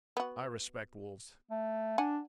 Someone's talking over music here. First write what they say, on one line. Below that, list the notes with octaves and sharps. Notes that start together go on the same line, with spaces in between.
I respect wolves.
B3 F#4
A3
D4 F#5 G#5